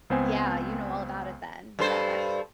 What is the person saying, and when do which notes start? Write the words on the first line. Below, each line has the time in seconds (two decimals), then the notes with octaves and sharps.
yeah, you know all about it then. Yeah, back
0.10 C#2 B3 C4 C5 G#5
1.79 G2 A4 C5